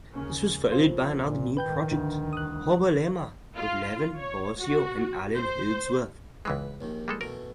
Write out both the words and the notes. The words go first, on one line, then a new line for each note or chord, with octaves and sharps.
This was followed by another new project, HoBoLeMa, with Levin, Bozzio and Allan Holdsworth.
D#2 C#3 C#4
A#1 F4 C5
A#2
A#1 G#2 D#3 B4 G5 G6
D2
F1 C2 D#6 F#6
F4
C#5
F#4
C5
C#2 E3 G#3 B4
A#1 D#2 D#3
G3 G#3 A4
B2 E3 A3 A#4